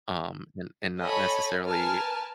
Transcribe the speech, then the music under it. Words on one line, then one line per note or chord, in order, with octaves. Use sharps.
um, and and not necessarily
A4 C#5 D#5 G#5 A5 B5
A#4 B4 G#5 A5 F6